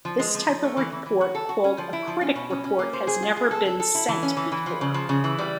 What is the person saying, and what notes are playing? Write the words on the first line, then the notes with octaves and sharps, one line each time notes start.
This type of report, called a critic report, had never been sent before.
F3
G#3
F3
F3
A3
E3
E3
E3
F#4
A4
F#4
C#4
F3
E4
F3
C#4
B2
C#4
C#4
A#3
C5
G#4
F4
G#4
A4
A4
A4
E4
E3
C#4
E3
E3
F3
C#3
F3
C#3
E3
G3